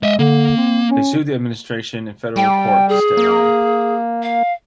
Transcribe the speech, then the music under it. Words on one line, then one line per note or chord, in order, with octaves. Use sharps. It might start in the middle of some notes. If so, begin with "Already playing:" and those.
They sued the administration in federal court to stay on.
G#3 D#5 E5
D3 A#3
C4
C#4
G3 G5
G#4
A#3
F5